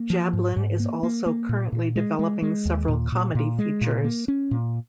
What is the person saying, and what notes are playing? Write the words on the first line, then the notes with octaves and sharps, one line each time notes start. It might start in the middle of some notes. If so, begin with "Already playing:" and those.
Jablin is also currently developing several comedy features.
Already playing: A#3
F3
G#2
G#2
A#3
A#3
A#3
A#2
A#2
G#3
G#3
G#3
D#2
A#2
A#2
A#2
G#3
A#2
A#3
C#4
A#2